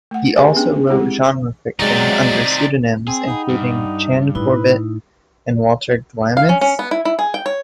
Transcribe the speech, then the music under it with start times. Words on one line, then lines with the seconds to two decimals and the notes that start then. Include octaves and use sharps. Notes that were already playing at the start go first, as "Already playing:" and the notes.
He also wrote genre fiction under pseudonyms, including Chan Corbett and Walter Glamis.
0.11 A3 F#5
0.36 G4 G#4 B4 E5 G#5
0.55 B3 C#4 D4 G#4 G5
0.87 G#3 C4 E4 G4 G#4
1.79 C3 F#3 G#3 D#4 D5
3.08 C4 G#4
3.27 D#4 F#5 G5 B5
3.49 G2
4.35 A2 D#4 E4 B4
6.37 F5
6.49 C#4
6.61 C#4
6.79 B3
6.91 E4
7.05 E4
7.19 G#4
7.34 G5
7.46 C#5